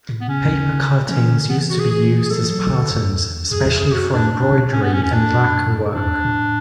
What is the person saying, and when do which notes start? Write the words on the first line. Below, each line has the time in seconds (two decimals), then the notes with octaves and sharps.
Papercuttings used to be used as patterns, especially for embroidery and lacquer work.
0.09 A2
0.21 B3
0.28 C#3 C#4
1.09 E3 C#4
1.29 D3
1.49 E3 B3
1.70 F#4
1.79 G#4
1.90 G#4
2.26 G#4
2.30 E3 A4
2.51 F#3
2.71 D3
2.91 F#2
3.10 E2
3.51 F#2 G#4
3.66 E2
3.79 F#2 G#4
3.92 F#4
4.12 D4
4.32 D4
4.52 B2
4.72 A2 C#4
4.82 G#2 B3
4.93 F#2 C#4
5.03 E2 C#4
5.13 F#2 D4
5.94 F#2 D4
6.04 E2
6.25 A2